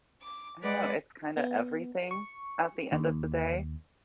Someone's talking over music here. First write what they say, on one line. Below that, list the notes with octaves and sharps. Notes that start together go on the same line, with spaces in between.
I don't know, it's kinda everything at the end of the day.
D6
G#3 B4 D5 F#5 D6
B3
C#6
D#2